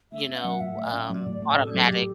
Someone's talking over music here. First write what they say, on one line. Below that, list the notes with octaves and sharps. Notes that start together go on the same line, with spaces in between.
you know, um, automatic
A3 E5
C#4
F#5
F#3
A2 E5
A3
D5
C#4
F#3
A2
A3
C#4 A4
F#3 A4
G4
A2